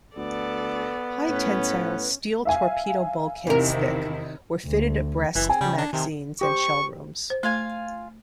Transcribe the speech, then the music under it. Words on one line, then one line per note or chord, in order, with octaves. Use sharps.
High-tensile steel torpedo bulkheads thick were fitted abreast the magazines and shell rooms.
D2 B3 A4 D5
A2 C#4 B4
E5 F5 G#5
E2 C3 D#3 E4 A#4
D2
F#1 E3
C4 G#5
C#3 G3
D4
C3 D#3
G4 C5 C#6
C5
A3 F4 F5 G#5